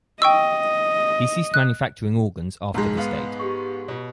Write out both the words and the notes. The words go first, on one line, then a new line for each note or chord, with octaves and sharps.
He ceased manufacturing organs after this date.
D#5 G5 C#6 E6
F#6
B1 G#2 G#3 A#4 A5 A#5
B3 F5
G4 G#4 C#6
B2 F4 C#5